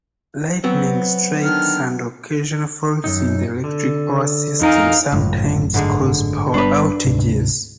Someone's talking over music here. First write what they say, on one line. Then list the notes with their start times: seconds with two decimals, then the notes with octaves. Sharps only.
Lightning strikes and occasional faults in the electric power system sometimes cause power outages.
0.64 F#3 B3 C4
1.43 D3 D#3 F6
3.04 F#2 C3 D#4
3.64 D3
4.61 F2 D#4 A#4 F5 G#5
5.12 G#1 C#2 F#2 A2
5.74 G#2 D3 G#3
6.54 G1 G3 B3 D4 B4
7.05 D2 G#2 C3